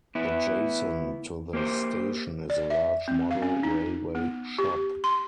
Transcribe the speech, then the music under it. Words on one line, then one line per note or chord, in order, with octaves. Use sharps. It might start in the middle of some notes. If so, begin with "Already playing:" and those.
Adjacent to the station is a large model railway shop.
B3 E4
A#3 G4 C5
D5
E5
C4
F5
C#4
D#4
B3
G4
C6